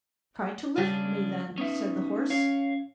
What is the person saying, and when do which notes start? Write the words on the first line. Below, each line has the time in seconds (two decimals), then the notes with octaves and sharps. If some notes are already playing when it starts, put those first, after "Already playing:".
'Try to lift me, then', said the Horse.
0.77 C#3 G3 C#4 D4 A6
1.58 B3 C#4 D#4 E5
2.30 C#4 C#5 F5